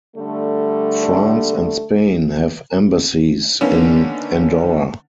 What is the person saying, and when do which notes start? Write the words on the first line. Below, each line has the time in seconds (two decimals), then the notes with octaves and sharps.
France and Spain have embassies in Andorra.
0.17 D3 G3 A3
3.61 D3 D#3 A#3 B3 C#4